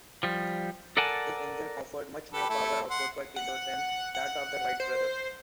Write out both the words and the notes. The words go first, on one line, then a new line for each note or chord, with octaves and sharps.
This engine offered much more power output per kilo than that of the Wright brothers.
F3 G3
A4 A#4 D5 F#5 G#5 A5
G4 A4 B4
A3 E4 A4
F#5 C6
F#5
F#5
C5